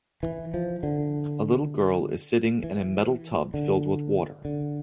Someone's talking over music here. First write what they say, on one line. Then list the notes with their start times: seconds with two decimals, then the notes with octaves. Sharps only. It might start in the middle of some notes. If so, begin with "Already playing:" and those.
A little girl is sitting in a metal tub filled with water.
0.23 E3
0.54 F3
0.83 D3
2.64 E3
3.54 D3
4.45 D3